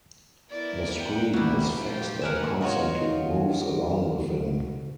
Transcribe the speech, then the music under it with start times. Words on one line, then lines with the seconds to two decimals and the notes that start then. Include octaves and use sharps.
The screen is fixed and constantly moves along with him.
0.50 B3 E4 A#4 D5
0.97 F#5 G5
1.33 B2 F#3 G3 A3 A#3 E4
1.85 F2 A#2 A#3 F4 G4
2.22 A#4 B4 E5 F#5 G#5
2.61 D#4 F4 F#4 C#5